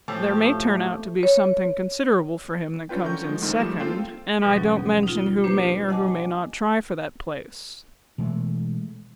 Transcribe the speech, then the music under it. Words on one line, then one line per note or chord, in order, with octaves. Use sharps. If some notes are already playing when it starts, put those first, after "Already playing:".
There may turn out to be something considerable for him that comes in second, and I don't mention who may or who may not try for that place.
A2 F3 G4
C#5
C#4 D4 F4 B4 G5
D3 C#4 A#4 C#6 G6
F3 G#3
D2 G#2 D#3 C4 A4
F3 G3 A3 G4 G#4 E7
A#3 C4 F4 A4 G5 C7
G#2 B2 E3 F3 G3
D#2 F#3 C#4
D#4 F4
A#3 D4 G4 B4 C5
D#5 F#5 G#5 A5 D6
B2 E3 G#3 A3